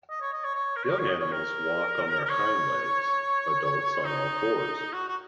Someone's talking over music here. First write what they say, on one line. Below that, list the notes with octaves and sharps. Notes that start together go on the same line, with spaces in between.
Young animals walked on their hind legs, adults on all fours.
D#5
C#5
D#5
C#5
C#5
A#4
C#5
A#4
C#5
D#5
C#5
A#4
A#4
C#5
D#4
F#4
F#4